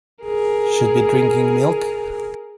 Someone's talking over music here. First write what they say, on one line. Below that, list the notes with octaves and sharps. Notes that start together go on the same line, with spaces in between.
Should be drinking milk.
G#4 A#4